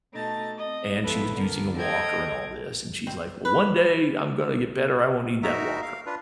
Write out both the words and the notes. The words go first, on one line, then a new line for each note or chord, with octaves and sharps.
and she was using a walker and all this, and she's like, "Well, one day I'm gonna get better, I won't need that walker."
B2 A3 D#4 A4 A5 A6
C4 D#5
F3 B3 E4 A4 B4
D2 D3 B3 A#4
A4 C5 D#5 G5 A#5 G#6
C4
B4
D#4 F#4 A#4 E5
F5
D4 F4 B4